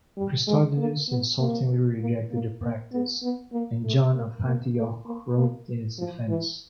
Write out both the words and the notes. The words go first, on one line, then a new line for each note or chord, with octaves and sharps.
Christodulus insultingly rejected the practice, and John of Antioch wrote in its defence.
G3
G#3
A#3
B3
A#3
A#3
A#3
A#3
B3
B3
A#3
A3
A#3
A#3
A3
A#3
A#3
F3
E3